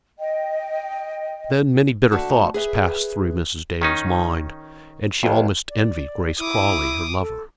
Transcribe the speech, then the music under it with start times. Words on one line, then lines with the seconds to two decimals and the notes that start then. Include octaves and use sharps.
Then many bitter thoughts passed through Mrs. Dale's mind, and she almost envied Grace Crawley her lover.
0.19 D#5 G5
2.11 D3 A3 F#4 A5
2.54 G#4 B4 E5
3.82 D#3 C#4 D#4
5.23 A1 F2
5.69 D5
6.38 E4 D6 D#6
7.20 A4